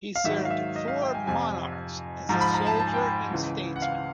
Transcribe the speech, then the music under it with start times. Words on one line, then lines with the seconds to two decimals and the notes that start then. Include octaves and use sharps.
He served four monarchs as a soldier and statesman.
0.16 F5
0.24 G#2 D#3 F#3 E5
0.45 F5
0.51 E5
0.76 D#5
0.88 F5
1.02 G5
1.15 G#5
1.26 F2 C3 F3 G#5
2.29 G#2 F3 A#5
2.41 B5
2.54 A#5
2.67 A5
2.79 A5
2.87 G#5
2.94 G5
3.01 G#5
3.31 C#2 C#3 E3
3.76 F#5
3.82 F5